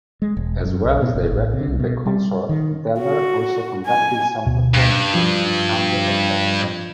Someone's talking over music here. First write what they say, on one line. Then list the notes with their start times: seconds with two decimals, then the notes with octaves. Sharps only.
As well as directing the Consort, Deller also conducted some performances with chamber orchestras.
0.22 G#3
0.37 E1
0.65 F#2
0.85 B1
1.02 B2
1.15 F#1
1.32 A1
1.53 C3
1.68 C2
1.80 B2
2.05 G3
2.49 D#3
2.99 F#4
3.86 G#5
4.46 D2 B2
4.74 G2
5.14 F3 F4